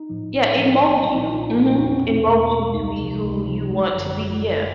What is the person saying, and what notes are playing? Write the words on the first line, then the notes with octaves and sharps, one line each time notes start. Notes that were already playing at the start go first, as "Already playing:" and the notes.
Yeah, it molds you. Mhm. It molds you to be who you want to be, yeah,
Already playing: D#4
A2 F3
A1
A2 F3
B1 D4
D#4
A#2 F3 D#4
D#4
B1 F4
A#2 F3
E2 F#4
B2
E2
B2
C#2 D#4
C3
F3
C#2
C3 F3
G#1
F#2 D3